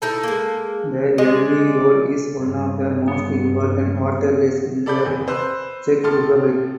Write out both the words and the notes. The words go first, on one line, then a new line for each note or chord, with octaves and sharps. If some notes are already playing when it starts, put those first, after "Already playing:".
The Elbe road is one of the most important waterways in the Czech Republic.
A3 D#4 E4 A4
G#3 A#3
G#3 D5 D#5
G2
B3
A4 D5 B5 D6 G6
F1 E2
B4 C5 E6 F#6
A2 A4 C6 F6 A6